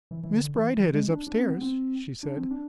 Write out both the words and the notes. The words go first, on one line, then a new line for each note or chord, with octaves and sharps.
"Miss Bridehead is up-stairs," she said.
E3
E3
D3
E3
E3
G#3
D4
D4
C4
B3
C4
D4
C4
D4